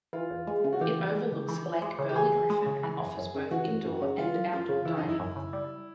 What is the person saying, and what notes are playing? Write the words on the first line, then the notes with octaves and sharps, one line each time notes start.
It overlooks Lake Burley Griffin and offers both indoor and outdoor dining.
E3 F4
E2
G#3
C#3
F#4
E3 G4
E2
G#3
C#3
E3
E2
G#3
C#3
G4
E3 G#4
E2
G#3
C#3
E3
F#2
F#2
C#3
E3 F#4
F#2
F#2
C#3
E3 F4
F#2
F#2 F4
C#3
E3 E4
D#4
F#2
E4
F#2
C#3
G3